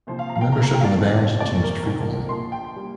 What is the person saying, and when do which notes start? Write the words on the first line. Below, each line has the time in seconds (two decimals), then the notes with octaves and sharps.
Membership in the band changed frequently.
0.07 C2 A#2 F3 C5
0.19 F5
0.29 A#5
0.36 F5
0.41 G5
0.52 D2 C3 A#3 A#5
0.63 A#5
0.74 G5
0.80 F5
0.84 D5
0.96 G1 F2 C3 F3
1.40 D2 C3 F3 A#3 D5
1.63 A#4
1.85 F1 F2 D3 F3
2.29 A#1 A#2 F3 C6
2.52 G5
2.76 G3 A#3